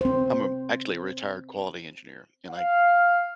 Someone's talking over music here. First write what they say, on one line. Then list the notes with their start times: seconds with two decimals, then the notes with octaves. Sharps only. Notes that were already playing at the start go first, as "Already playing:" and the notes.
I'm, um, actually a retired quality engineer, and I
0.01 C4 C5
2.51 F5